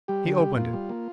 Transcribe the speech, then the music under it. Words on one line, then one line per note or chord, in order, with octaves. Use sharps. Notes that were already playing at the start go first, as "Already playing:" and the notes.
He opened it.
G3 G4
D3
G3
A#2 F4
G3
A#3